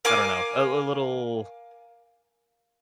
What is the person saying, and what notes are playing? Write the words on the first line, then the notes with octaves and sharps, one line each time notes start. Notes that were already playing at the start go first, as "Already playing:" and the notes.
I don't know, a l little,
A#4 F5 G#5 D6